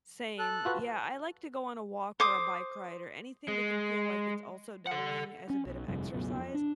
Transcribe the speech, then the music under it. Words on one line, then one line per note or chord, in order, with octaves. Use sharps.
Same. Yeah, I like to go on a walk or a bike ride, or anything that can feel like it's also doubling as a bit of exercise,
A4 F#6
F4 F#4 B4
C5 D6 D#6
G#3
A4 F#5
C#4
B1
G1 F2 C3 G3
C#2 F#2 B2
F2
D4